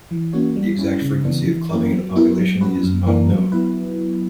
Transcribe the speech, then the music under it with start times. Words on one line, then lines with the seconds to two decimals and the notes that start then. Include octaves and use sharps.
The exact frequency of clubbing in the population is not known.
0.11 E3
0.33 A#3 C#4 F#4 C#5
0.56 G3
0.79 C#4 E4
1.02 C#3
1.24 E3 B3 D4
1.47 E3
1.70 A#3 E4 G4 A#4
1.93 F#3
2.15 B3 E4 G4 A#4
2.38 F#3
2.61 C#4 F#4 B4
2.83 F#2
3.06 E3 A#3 D4 A#4
3.29 F#3
3.52 B3 E4 B4